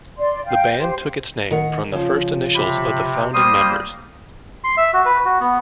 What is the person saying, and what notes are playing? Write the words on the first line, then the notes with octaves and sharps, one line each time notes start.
The band took its name from the first initials of the founding members.
D5 C6
F5 G5
G4 C5
D#3 A#4 F#5
C#3 F3
C3 B5
G3 A#3 C5 D#6
C6
E5
F#4
B4
F#4
B3